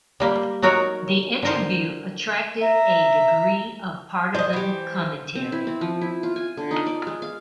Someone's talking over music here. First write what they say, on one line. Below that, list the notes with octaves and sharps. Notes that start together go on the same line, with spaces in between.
The interview attracted a degree of partisan commentary.
G3 A#3 G4
F#3 D#4 F#4 A#4 C#5
D3 A#4 C5
E5 A#5
C5 D5 D#5
E3 G4
C4
E4
C4
F3
E4
F4
G#5
D3
D#4
D5
G#3
F5